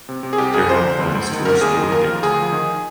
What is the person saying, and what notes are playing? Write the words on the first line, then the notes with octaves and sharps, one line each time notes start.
There are plans to restore the gate.
C3
C3
G#4
C2 G4
C2 G#4
F3 C5
D3
D2
D2
D#3
C2 A#4
D#2 G#4
D#3
D#2 A#4
F3
D2 G#4
F3
D#3